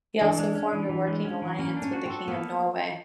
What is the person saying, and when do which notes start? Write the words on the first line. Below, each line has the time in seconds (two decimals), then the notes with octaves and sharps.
He also formed a working alliance with the king of Norway.
0.21 E3 D4
0.39 G#3
0.55 C#4
0.73 E3
0.89 E3
1.07 G#3
1.25 C#4
1.42 E3
1.59 A#3 C#4
1.77 D4
1.82 C#4
1.93 F#4
2.06 C4 A4
2.28 A#3 B3